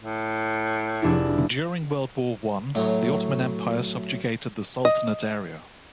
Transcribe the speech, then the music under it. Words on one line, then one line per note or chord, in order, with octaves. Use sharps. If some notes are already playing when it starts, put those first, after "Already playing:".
During World War One, the Ottoman Empire subjugated the Sultanate area.
A2
F1 D4 E4
A2 F#3
D#5